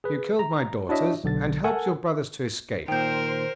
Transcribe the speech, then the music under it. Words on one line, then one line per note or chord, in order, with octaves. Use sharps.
You killed my daughters and helped your brothers to escape.
G#4 B4
A#5
D4 E4 F#4 C#5 D#5 E5
B1 D3 A6
A4 A#4 F#5 G#5
A#2 D#3 A#4 C5 G5 G6